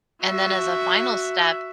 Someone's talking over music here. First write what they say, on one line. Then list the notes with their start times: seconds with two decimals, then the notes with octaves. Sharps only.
And then as a final step,
0.22 F#4 E5